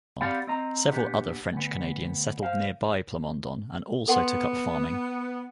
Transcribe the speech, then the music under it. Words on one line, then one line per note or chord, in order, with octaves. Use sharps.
Several other French-Canadians settled near by Plamondon and also took up farming.
C4 G4 D5 F5 F#5 B5
C4 D#5 A#5
A#2 B3 D4 G4
D2 B3
C5 F5
B3 A4 F#5 C6